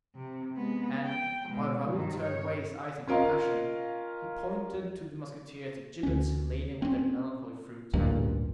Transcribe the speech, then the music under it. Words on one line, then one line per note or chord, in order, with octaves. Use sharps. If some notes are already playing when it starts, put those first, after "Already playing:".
And, while Raoul turned away his eyes in compassion, he pointed to the musketeers the gibbets laden with their melancholy fruit.
C3
G#3 B3
G5
B2 G#3
G2 D#3
C#5
C#4 F4 A#4 D#5 F5
D2 C#4
C4 C#4
A1 D2 G2 A#2